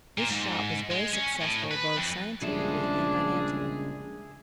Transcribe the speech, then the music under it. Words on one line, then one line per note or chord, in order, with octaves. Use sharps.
This shop was very successful both scientifically and financially.
A#2
G#2
G#3
C#4
A2
B4
F2
A#1 C#3 G3 G#3 D4 G#4 E5